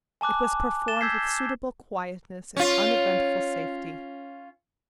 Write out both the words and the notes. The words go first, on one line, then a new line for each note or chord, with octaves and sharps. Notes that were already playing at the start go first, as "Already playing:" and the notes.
It was performed with suitable quietness and uneventful safety.
G#5 A5 D6 F#6
A6 E7 G7
E6 G6 G#6 B6 C7
C#4 F4